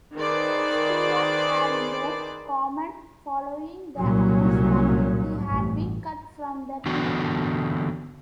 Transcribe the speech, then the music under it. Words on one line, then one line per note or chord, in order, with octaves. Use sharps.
Stewart had no comment following the announcement he had been cut from the team.
D#3 G#4 B4 C5 D5
C2 A#2 F#3 C#4
A1 G2
D3 E3 B3 F#4